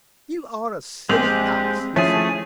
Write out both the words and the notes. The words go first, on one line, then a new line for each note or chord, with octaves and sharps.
"You are a silly ass," he said.
A#1 G#3 C4 G4 F7 F#7
F3 A3 C#4 E4 G#4